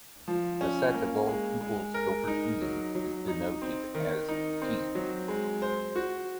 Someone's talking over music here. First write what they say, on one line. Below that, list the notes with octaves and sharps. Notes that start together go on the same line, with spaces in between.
The set of all tuples over "D" is denoted as "T".
F3
C#4
A#3
G#3
G#3
A#4
D#4
F#3
F#3
D#4
C4
D#3
D#4
C4
F#3
G#3
C5
F#4